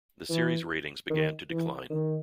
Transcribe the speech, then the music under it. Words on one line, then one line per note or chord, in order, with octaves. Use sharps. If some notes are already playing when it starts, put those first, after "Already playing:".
The series' ratings began to decline.
E3
D#3
E3
D#3